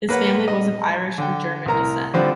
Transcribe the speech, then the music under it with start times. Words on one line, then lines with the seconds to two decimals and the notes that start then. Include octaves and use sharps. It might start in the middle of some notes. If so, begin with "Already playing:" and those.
His family was of Irish and German descent.
0.09 A#3 B4 C#5 F#5
0.48 D#5
1.18 D3 G5
1.66 C2 A2 A#4 A#5
2.14 D3 F3 G3 C4 F4 D5